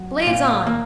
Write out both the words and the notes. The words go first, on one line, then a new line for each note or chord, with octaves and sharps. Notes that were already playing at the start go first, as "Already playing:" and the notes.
Blaze on.
Already playing: F#3
A#2
A#3